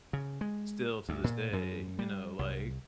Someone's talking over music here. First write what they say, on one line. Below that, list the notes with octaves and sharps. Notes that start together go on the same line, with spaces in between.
still to this day, you know, like,
C#3
G#3
D2
A#2
F#2
G3
C2